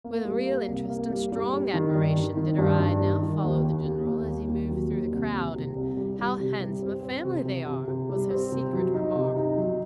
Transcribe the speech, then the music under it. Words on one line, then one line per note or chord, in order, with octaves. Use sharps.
With real interest and strong admiration did her eye now follow the general, as he moved through the crowd, and "How handsome a family they are!" was her secret remark.
A#3
G3
A#3
C2
A#3
G3
G3
G3
D#3
G2
D#3
D#3
G2
G2
D#3
D#3
D#2
D#2
D#2
D#2
D#2
D#2
F#3
D#2
C2
C3
C3
C2
G3
G3
C3
G3
C4
C4
C3
C3
C3
C3
G3
C4
C3
F#3
D#4
C3
D#4
F#3